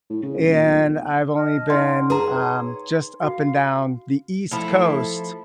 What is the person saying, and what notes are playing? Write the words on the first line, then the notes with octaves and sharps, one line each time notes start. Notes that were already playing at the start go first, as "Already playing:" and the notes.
and I've only been, um, just up and down the East Coast,
A2
C#3
D#1
A#2
B1
D#5 A5 F6
C4 D#4 D5 F#5 C6
G#4 B4 C#5 A#5
F#4 F5
F3 A3 E4 A4